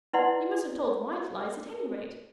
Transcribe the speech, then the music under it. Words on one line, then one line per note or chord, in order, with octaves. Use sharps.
You must have told white lies, at any rate.
D#4 E4 B4 D5 F#5 C6